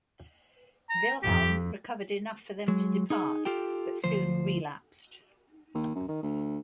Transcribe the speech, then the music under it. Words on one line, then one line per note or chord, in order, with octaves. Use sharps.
Wilhelm recovered enough for them to depart, but soon relapsed.
A#5
F2 G4
F#3 G#3
D#4 G#4
F4 G4 A4 G5
D2 F3 C5
D#2
F#2
D#3
D2